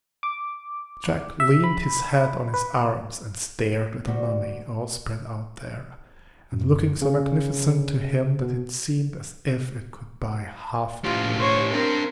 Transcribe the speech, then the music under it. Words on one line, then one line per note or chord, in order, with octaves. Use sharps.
Jack leaned his head on his arms and stared at the money, all spread out there, and looking so magnificent to him that it seemed as if it could buy half the world.
D6
E5
B5
B4
D2 G3 F#4
F#2
C#3
B2
A2 F4 G4
C5 C#5
C4 D4 A#4 G5